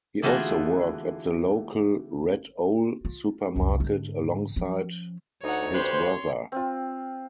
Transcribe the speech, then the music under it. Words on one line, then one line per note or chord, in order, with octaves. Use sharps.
He also worked at the local Red Owl supermarket alongside his brother.
D3 E3 A3 F4 F#4 G#4
F4
C2 F2
G#2 D3
F3 C#4
D2 D#4 C#5 F#5
G4 B4 C5 C6
C4 F4